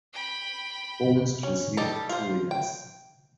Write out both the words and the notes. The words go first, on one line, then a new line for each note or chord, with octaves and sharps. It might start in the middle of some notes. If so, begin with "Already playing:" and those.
Fons received two wethers.
G5 B5
C#4
G3 D#4 G4 A4 A5
F4 C5
G5